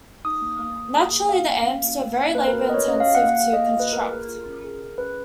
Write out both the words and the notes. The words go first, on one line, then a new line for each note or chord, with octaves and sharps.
Naturally, the amps were very labor intensive to construct.
D#4 D#6
A#3
A#3
A#3
G#4
A#3
F#4 F5
A#3
C#4
A#3
A#3
C#4
A#3 B4
A#4
F#4
B4
C#4 C#5 D#5
C#4 D#5
F5
F#4
F#5
A#3
F5
G#4 F5
D#5
A#3
D#5
F4 B4
A#3 A#4
G#4
F4
C#4
G#4
G#4
C#4 B4